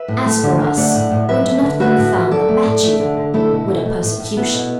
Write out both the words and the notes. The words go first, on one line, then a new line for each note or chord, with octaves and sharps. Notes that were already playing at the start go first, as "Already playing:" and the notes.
As for us, we do not confound a battue with a persecution.
Already playing: B4 E5
A2
A3
D3
D3
A3 D5 F#5
A2
A2
F#3 B4 E5
A3
D3
A3 F#4 B4
A2
A2
F#3 A4 D5
A3
A2
A3
D3
D3
A3 E4 A4
B2
B2
A3
A2
A2
A3 B3 E4
B2